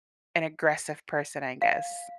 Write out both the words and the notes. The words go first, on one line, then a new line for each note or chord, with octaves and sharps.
an aggressive person, I guess.
F5